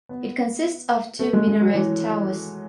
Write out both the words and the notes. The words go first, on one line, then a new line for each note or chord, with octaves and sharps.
It consists of two minaret towers.
B3
A3
G#3
G#3
F#3
E3